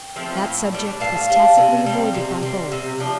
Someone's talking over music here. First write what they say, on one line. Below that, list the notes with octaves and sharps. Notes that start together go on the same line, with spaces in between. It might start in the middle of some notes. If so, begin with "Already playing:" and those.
That subject was tacitly avoided by both.
Already playing: G5
F3 A3 C4
A2
G3 D4
A2 F5 A5
G3 D4
C3
G3 C4
C3
G3 C4
C3
F3 D4